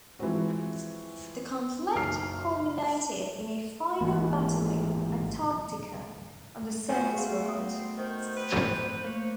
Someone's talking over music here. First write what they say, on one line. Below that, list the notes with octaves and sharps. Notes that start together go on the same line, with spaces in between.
The conflict culminated in a final battle in Antarctica, on the surface world.
E3 F3 G#3 C4 F#4
F#1 B1 F#2 F6 C7
G#1 E3 A#3
F3 A3 B3 F#4 G#5
C4 G#4 F5
D#6
D#3 C5
B4
A3 A#3 C#5